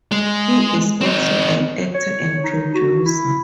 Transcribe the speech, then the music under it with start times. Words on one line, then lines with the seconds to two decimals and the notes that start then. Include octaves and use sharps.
He is also an actor and producer.
0.12 G#3
1.01 C4 D#4
1.94 C#5
2.43 D#4
2.74 F#4
3.05 E4